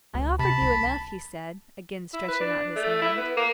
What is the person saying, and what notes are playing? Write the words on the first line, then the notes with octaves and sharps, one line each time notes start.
'I offer you enough,' he said, again stretching out his hand.
D2
C3 A5 B5
C2
E4
B4
D4
A3
E4
B3
A#3